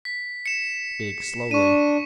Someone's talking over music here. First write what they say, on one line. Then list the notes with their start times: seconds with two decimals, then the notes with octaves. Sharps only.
Bake slowly.
0.05 B6
0.46 C#7 E7
1.51 D4 C#6 D#7